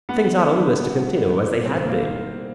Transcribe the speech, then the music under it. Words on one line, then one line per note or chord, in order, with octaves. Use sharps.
Things ought always to continue as they had been.
A#3 B3
A#3
G3
G3
E4
E4
E4
B2
G3 C4
D#3 A#3